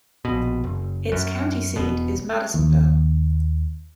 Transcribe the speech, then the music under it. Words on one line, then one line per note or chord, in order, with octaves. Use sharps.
Its county seat is Madisonville.
A#1 B2
F#1
F#2
E1 B2
D#2